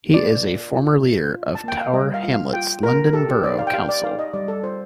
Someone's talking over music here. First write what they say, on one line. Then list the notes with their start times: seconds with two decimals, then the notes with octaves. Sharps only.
He is a former leader of Tower Hamlets London Borough Council.
0.13 A#3 D5
0.44 F4
0.73 F4
1.03 D4
1.33 F4
1.55 A5
1.64 A#3 G5
1.81 F5
1.93 G3 D#5
2.14 F5
2.24 F4
2.33 F5
2.53 F4 G5
2.83 A#3 A#4
3.13 G4 A4
3.29 G4
3.43 D#4 D5
3.58 F5
3.67 G5
3.73 G4 F5
3.89 D5
4.03 D#4 F5
4.19 D#5
4.33 G3 D5
4.48 A4
4.63 F4 C5